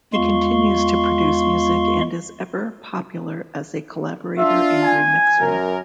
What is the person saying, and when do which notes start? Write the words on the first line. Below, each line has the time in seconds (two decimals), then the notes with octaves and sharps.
He continues to produce music and is ever popular as a collaborator and remixer.
0.14 E2 G#3 F4 F5 C6 C#6
4.38 D4 F4 E5
4.83 G#5
5.38 F#2 A#4